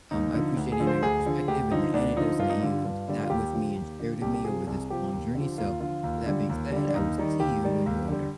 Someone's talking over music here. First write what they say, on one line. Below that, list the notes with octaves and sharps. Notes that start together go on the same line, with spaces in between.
um, I appreciate, you know, your perspective and the anecdotes that you sat with me and shared with me over this long journey, so with that being said, I will see you when you're older.
D#2 D#4
D3 F3
D2
G#4
D3 F3
C5
D2 G#4
D3 F3
D2 G4
D3 F3 D#4
D2 D4
D3 F3 D#4
G2 F4
D#4
D3 G3 F4
G2
D3 G3
F4
D#2 G4
D3 F3
D#2
D3 F3
C2 G4
G4
C3 F3 G#4
C2 G#4
C3 F3 G4
D#2
D3 F3
D#2 F4
D3 F3 F4
D#2
D3 G3
D#2
D3 G3
D4
D#2 D#4
D#3 G3
D#2 G4
D#3 G3
D#2
D3 G3